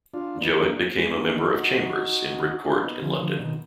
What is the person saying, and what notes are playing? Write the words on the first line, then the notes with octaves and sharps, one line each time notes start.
Jowitt became a member of chambers in Brick Court in London.
D4 F4
B3 D#4
A#3 D4
G#3 B3
A#3 D4
B3 D#4
D#4 F#4
D4 F4
B3 D#4
D3 F3
D3 F3
B2 D#3